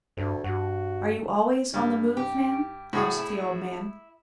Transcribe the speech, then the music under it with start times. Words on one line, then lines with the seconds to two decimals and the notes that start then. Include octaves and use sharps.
'Are you always on the move, ma'am?' asked the old man.
0.17 D2 G2
0.44 G2 F#4
1.74 G2
2.17 G4
2.93 A2 F#4 G#4 D#6
3.17 E4